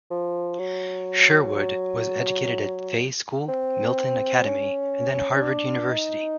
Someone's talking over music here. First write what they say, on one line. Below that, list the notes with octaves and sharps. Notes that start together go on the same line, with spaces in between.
Sherwood was educated at Fay School, Milton Academy and then Harvard University.
F3
F#3
F#3
C4
C#4
C#4
D4
D#4